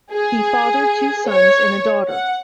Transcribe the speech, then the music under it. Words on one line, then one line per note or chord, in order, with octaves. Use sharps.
He fathered two sons and a daughter.
G#4
C#5
F#5